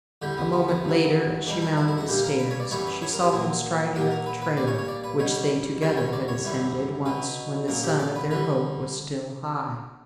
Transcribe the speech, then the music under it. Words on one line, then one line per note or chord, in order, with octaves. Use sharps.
A moment later, as she mounted the stairs, she saw him striding up the trail which they, together, had ascended once when the sun of their hope was still high.
E2 D3 G3 G4
B3
B3
B3
G2 F#3
E2 B2 G3 D4
D4
E4
E4
F#4
A#2 G3 G4
A#4
B4
C#5
D5
F#2 E3 G3 C#5
B4
C#5
A#4
G4
A#2 F#3
A#2 F#3 G4
A#4
B4
B4
A#2 G3 D5
C#5
C#5
D5
B4
B2 G3 C#5
E2 D3 G3 C#5
C#5
D5
C#5
F#2 E3 G3
B2 F#3 B4
A#2 F#3 A#4
G4
D5
B4
D3 G3 B4